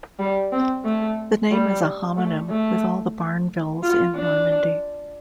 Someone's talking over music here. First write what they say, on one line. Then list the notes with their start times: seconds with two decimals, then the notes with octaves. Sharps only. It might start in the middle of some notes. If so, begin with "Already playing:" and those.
The name is a homonym with all the Barnevilles in Normandy.
0.19 G3
0.52 C4
0.85 A3
1.51 G3
2.17 A3
2.50 A3
3.83 F4
4.15 D4